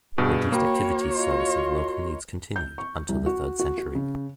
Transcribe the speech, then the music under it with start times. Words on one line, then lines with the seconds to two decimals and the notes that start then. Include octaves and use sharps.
Reduced activity servicing local needs continued until the third century.
0.18 G2 B2 G#4
0.52 A#3 F#4 C#5 G5 B5
1.13 F4 D#5 C6
2.56 G6
2.78 C#6
3.09 C2
3.26 F#4
3.59 F#4
3.78 F#4
3.95 C#3